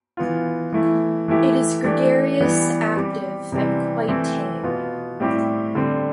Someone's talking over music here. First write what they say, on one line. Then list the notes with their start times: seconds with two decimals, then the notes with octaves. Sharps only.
It is gregarious, active and quite tame.
0.17 E3 B3 F4
0.72 E3 A3 E4
1.28 E3 A3 E4 G4
1.84 E3 A3 D4 G4
2.40 E3 G3 B3
2.96 G3 C4 G4
3.52 C3 E3 G3 C4
4.08 E3 A3 C4 E4
4.63 B2 B3 F4
5.20 A2 G3 C4 E4 G4
5.75 D3 G3 C4